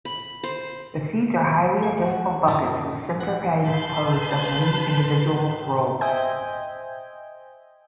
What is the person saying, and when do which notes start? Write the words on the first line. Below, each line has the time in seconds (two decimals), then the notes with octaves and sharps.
The seats are highly adjustable buckets with centre padding composed of many individual 'rolls'.
0.05 B5
0.43 C5
1.82 G#5
2.04 F#4
2.48 F#2 A#2 D#4 E4 D#5 A5
3.20 F#5
3.63 B4 A5 B5 C6 F#6 G6
6.01 C5 D#5 E5 G5 G#5 G6